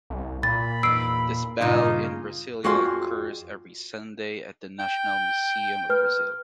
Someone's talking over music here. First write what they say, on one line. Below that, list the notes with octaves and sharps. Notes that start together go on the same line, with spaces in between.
This battle in Brasilia occurs every Sunday at the Nacional Museum of Brazil.
C2
A#2 B5 A6
E2 D#4 E6 C7 D7
G2 A#2 C#3 D#4 F4
F2 F#4 G#4 D5 F5 C6
G5
B4 F6